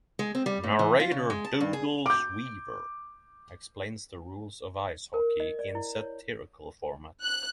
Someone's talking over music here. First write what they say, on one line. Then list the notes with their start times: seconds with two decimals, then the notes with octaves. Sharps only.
Narrator Doodles Weaver explains the rules of ice hockey in satirical format.
0.19 G#3
0.35 C4
0.46 G3
0.64 A2
0.79 E3
1.00 F4
1.11 C#3
1.30 G#3
1.45 A5
1.61 G2
1.73 G#4
2.06 D6 G6
5.14 A#4
5.40 D#5
5.59 D5
5.75 E4
5.95 C#5
7.24 F#6